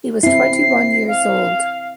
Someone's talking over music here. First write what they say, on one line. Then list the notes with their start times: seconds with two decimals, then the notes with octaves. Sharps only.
He was twenty-one years old.
0.23 C4 E4 C7
1.08 F5